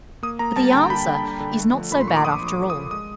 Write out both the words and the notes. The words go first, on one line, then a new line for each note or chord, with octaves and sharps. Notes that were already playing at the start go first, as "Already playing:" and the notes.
But the answer is not so bad after all.
A#3 D#6
A#3 A#5
G3 A5
D3 G5
A#3 B5
D3
D3
D3
A3
F3
A#2 B5
C6
A#2 C#6
D6
F3 D#6
F3
D6
F3
D#6
F3
G#3 D#6